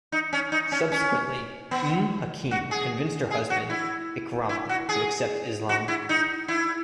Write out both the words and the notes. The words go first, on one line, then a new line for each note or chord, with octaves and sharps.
Subsequently, Umm Hakim convinced her husband Ikramah to accept Islam.
D#4
C#4
D#4
C#4
C#4
B3
F#4
G#4
G#4
F#4
E4
E4
F#4
G#4
F#4
E4
D#4
E4